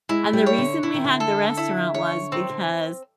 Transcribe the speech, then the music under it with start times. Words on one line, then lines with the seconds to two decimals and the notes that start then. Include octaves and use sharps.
and the reason we had the restaurant was because
0.09 G#3 E4
0.33 G3
0.46 C#5
0.58 D3
0.83 D3 E4
0.94 D#3
1.05 D3
1.20 A4
1.57 E4
1.94 C#5
2.32 D#3 C4
2.50 D3